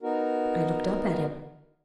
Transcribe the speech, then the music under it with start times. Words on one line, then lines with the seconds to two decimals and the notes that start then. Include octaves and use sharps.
I looked up at him.
0.01 B3 D#4 F#4 A#4